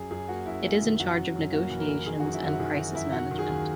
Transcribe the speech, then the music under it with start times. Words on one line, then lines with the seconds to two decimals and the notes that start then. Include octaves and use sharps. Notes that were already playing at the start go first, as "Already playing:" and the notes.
It is in charge of negotiations and crisis management.
Already playing: F#2 G#4
0.11 F#2 G#4
0.28 A#3 F#4
0.46 F#2 E4
0.64 A#3
0.82 D#3
0.99 F#2 F#4
1.17 F#2
1.36 F#2
1.53 A#3 F#4
1.70 E3
1.79 A#4
1.89 E3
2.06 D#3 G#4
2.20 F#2 F#4
2.33 E4
2.42 F#2 F#4
2.59 D#3 G#4
2.77 D#3 F#4
2.95 F#2 E4
3.12 D#3 F#4
3.31 D#3
3.39 G#4
3.49 D#2